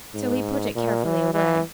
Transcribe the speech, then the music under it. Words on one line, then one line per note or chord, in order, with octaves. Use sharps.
So he put it carefully away.
G#2
A#2
E3
E3